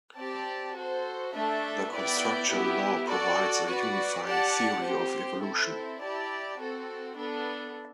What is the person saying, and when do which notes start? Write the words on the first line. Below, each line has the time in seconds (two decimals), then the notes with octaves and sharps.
The constructal law provides a unifying theory of evolution.
0.15 C4 G4 D5 A5
0.74 F#4 A4 C5
1.32 A3 D4 A4 E5 A5
1.90 B3 E4 B4 D5 G5
2.49 B3 E4 G4
3.07 F#4 A4 D5
3.66 F#4 B4 D5
4.24 G4 D5 F#5 A5
4.83 C4 G4 C5
5.41 C4 E4 A4
5.99 E4 G4 D5 A5
6.57 C4 F#4 A4
7.16 B3 D4 A4